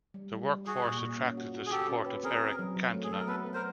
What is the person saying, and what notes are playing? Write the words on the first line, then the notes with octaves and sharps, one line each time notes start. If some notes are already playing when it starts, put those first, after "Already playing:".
The workforce attracted the support of Eric Cantona.
G3
G3
G3
G3 F#4 G#4
A#2
A#2
C#4
F#4
F#4
G#4
F#4 G4 A4
C#4
B4
C4 G#4 A#4
C4
F#3
F#3
A3
G#4
F#3 A4
A#4
B3 A4 B4
B3
A#4 C5